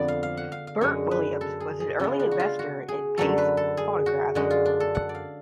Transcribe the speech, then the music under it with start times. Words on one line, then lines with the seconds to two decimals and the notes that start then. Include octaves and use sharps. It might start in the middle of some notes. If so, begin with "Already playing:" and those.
Bert Williams was an early investor in Pace Phonograph.
Already playing: F2 D3 F3 B3 D5
0.08 F5
0.23 F5
0.37 F#5
0.52 F5
0.67 F5
0.81 F#2 D3 G#3 C#5
1.11 B4
1.41 A4
1.60 G#4
1.80 G#4
2.00 C#3 G#3 B3 F4
2.19 D4
2.31 F#4
2.40 F4
2.59 F#4
2.88 G#4
3.18 F#2 D3 F#3 A3 A4
3.38 B4
3.57 A4
3.77 G#4
4.06 F#4
4.35 F#2 D3 G#3 F#4
4.50 F4
4.66 D4
4.80 A4
4.95 F#5
5.09 D5
5.14 F5